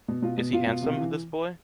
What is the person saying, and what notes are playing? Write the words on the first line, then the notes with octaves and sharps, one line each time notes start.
Is he handsome, this boy?
B2
B2 F4
B2
B2 F4
B2
C3
E3